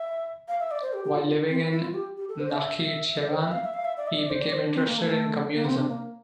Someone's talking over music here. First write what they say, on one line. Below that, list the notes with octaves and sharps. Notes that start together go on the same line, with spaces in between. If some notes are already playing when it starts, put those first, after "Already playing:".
While living in Nakhichevan, he became interested in Communism.
Already playing: E5
F5
E5
D5
C5
G4
G4
F4
C4
E4
E4
F4
G4
G4
A4
C5
E5
E5
E5
D5
C5
E5
F5
E5
F5
E5
D5
E5
D5
C5
D5
C5
D4
C4
A#3
A3
A3
A#3
C4
D4
A#3